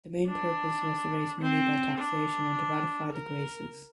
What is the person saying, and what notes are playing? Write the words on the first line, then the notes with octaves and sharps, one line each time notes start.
The main purpose was to raise money by taxation and to ratify the Graces.
D4
C4
D4
A#4